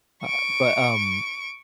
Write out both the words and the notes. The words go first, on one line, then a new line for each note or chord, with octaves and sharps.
Uh, but, um,
C#6 D7